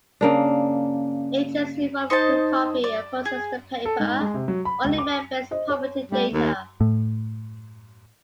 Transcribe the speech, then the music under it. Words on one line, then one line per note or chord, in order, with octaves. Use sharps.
Agents involved could copy and process the paper- or email-based property data.
C#3 A#3 D4
D#4 C5 D#5 A5
D5
G#4
A4
G#2
G#3
C3
F#3
B5
C#2
D6
C5 D#5
C#5
G3 A3
D#2
A2